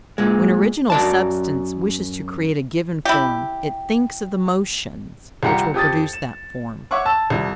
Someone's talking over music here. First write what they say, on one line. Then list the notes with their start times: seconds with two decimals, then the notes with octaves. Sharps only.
When Original Substance wishes to create a given form, it thinks of the motions which will produce that form.
0.18 A#2 G#3
0.90 F#2 D5 A5
3.05 E4 G4
5.43 C2 F4 G4 F#5 A#5 C#7
5.74 F2 G4 D#6 A6
6.13 E7
6.91 C#5 E5 F#5 C#6 D6
7.06 A5 E6 E7
7.30 C2 F2